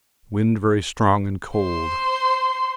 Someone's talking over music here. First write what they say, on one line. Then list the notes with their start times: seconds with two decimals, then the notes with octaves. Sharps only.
Wind very strong and cold.
1.57 C5 C6